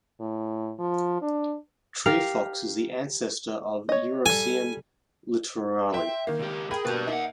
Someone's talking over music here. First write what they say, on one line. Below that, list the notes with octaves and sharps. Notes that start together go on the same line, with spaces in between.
Tree Fox is the ancestor of the Urocyon littorali.
A2
F3
D4
G4 A#4 F5
C#5 D#5
G3 A4 G#5
E5 G5 C6
D#3 A#3
C#2 G4
G#4 A#4 G5 B5
B2 A#3 G4 B4
A#3 D#4 E5 F#5